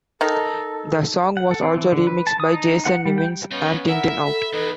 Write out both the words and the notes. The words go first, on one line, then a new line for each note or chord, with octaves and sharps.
The song was also remixed by Jason Nevins and Tin-Tin Out.
D#3 D#4 A4
F#5
A4
C4
E3
D3
B4
A5
D#6
D#4
F#5
G3
G5
B3 C#4 D#4 F4
E4 A#4 E5 F#5
A4 B5
E2 D#4 B4